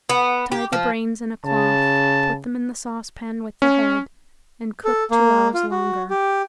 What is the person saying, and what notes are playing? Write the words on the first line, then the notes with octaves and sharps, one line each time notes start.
Tie the brains in a cloth, put them in the saucepan with the head and cook two hours longer.
B3
G4
F3
C#3 A5
C#4
A4
A#3
F4
F#4
G4